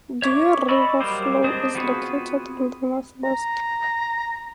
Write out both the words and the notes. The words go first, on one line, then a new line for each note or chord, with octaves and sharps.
Deer River Flow is located in the northwest.
C#5 E5 C#6 D6
D5 D#5 B5 C#6 E6
F#3 G3 A#3 C5 D6
G#3 C4 D4 C5 D#6
B3 C4 F4 F#4 G#4
A#5